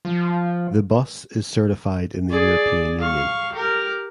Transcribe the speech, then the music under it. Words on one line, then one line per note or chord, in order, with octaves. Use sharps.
The bus is certified in the European Union.
F3
G#4 D5
F5 C#6
G4 A#4